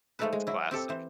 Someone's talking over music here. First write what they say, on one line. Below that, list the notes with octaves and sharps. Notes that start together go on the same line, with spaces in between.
It's classic.
F3 G#3 A3 D#4 A4 B4
G#3
F#3 E4
C4 G4 A4
E3 C5